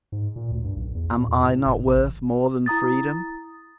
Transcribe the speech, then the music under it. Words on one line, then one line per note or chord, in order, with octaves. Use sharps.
Am I not worth more than freedom?
G#2
A#2
D2
G2
B1
E2
A#2
E2
A2
F#1
A1
E4 A#5 D#6 A6